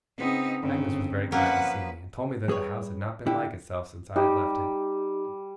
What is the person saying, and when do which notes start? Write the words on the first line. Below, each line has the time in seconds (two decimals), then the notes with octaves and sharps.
Agnes was very glad to see me, and told me that the house had not been like itself since I had left it.
0.18 C#3 B3 C4 D#4
0.63 G1 C#3 C4
1.32 F3 F#3 A#3 C#4 B4 F#5
2.48 G3 G#4 B4 C#5
3.26 D3 E4 G4
4.16 G3 D#4 G4